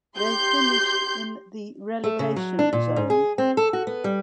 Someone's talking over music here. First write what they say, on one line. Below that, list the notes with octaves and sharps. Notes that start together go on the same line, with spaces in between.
They finished in the relegation zone.
G4 C6 G6
A3
C#3
F#3
D4
A#2
G#2
G#4
C4
A4
F#4
B3
G3